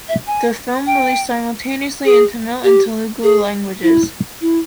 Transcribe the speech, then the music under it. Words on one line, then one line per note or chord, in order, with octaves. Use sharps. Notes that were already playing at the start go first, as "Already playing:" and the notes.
The film released simultaneously in Tamil and Telugu languages.
E5
G#5
G5
G#4
G4
G#4
E4
E4